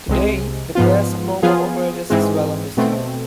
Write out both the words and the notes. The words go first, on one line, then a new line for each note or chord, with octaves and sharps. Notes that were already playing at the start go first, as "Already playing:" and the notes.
Today, the class of normal operators is well understood.
C2 C3 G#3
G#2 F3 B3 F4
F3 B3 F4 G#4
G#2 E3 G#3 C4
B2 A3 C4